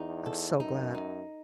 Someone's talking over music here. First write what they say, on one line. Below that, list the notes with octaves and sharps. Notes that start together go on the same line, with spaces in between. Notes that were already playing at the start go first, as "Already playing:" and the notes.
I'm so glad.
Already playing: E2 D#4
A4
F#2 D#4
D#4